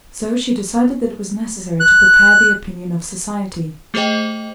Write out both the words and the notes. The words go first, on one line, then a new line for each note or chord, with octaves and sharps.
So she decided that it was necessary to prepare the opinion of society.
F#6
A3 G4 G#4 C5 D#5 G5